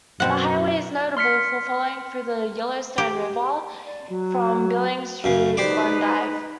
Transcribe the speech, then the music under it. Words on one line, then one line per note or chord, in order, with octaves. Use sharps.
The Highway is notable for following the Yellowstone River from Billings through Glendive.
F#2 B2 C4 F#5
C6 F6 B6 C#7
G4
D5
F#3
F#2 C#3
D#4 G4 B4 C5 D5